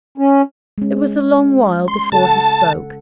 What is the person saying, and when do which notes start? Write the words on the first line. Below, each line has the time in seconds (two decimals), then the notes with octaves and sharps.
It was a long while before he spoke.
0.18 C#4
0.78 G#3 C#4
1.88 C6
2.12 C#3 A4 F#5 A5